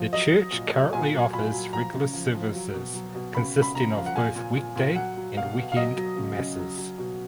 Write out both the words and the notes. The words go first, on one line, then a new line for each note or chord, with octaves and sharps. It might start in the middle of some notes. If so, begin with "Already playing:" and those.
The church currently offers regular services consisting of both weekday and weekend masses.
Already playing: F3
F#3 D#5
F#3
A#2
F#3
A#2 G#5
F#3
A#2 B5
F#3
F3 A#5
C#3
F3
F3
F#3
B2
F#3
B2
C#3 B5
C#3
B5
C#3 A#5
F3 F5
F#5
A#2 G#5
A#2
A#2
A#2
F#3 F#5
F#3
B2 F5
B2
F5
F#3 D#5
F#3
C#3
C#3
F#3
F#3
B2